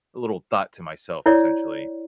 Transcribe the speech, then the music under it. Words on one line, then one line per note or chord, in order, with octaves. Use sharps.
a little thought to myself, essentially.
E4 C#5 D5